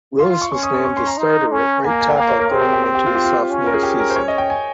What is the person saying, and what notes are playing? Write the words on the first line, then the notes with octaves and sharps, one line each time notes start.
Wills was named the starter at right tackle going into his sophomore season.
F4 C6
C6
C#6
C#4 C#6
D#6
C#6
C#6
C6
A#5
D#4
C#4
A#3 G#5
A#5
G#5
G5
A#3 F5
C#5
A#4
C4 G#4
G4
G4
G4
G4
F4
G4
F4
C#4
A#4
G#4
G4
A#4
C5
C#5
D#5
G5
G#5